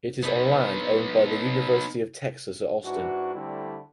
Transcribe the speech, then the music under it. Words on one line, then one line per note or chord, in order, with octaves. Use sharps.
It is on land owned by the University of Texas at Austin.
B3 D#4
G#2 E3 D4 F#4
D3 G3 A3 C4 E4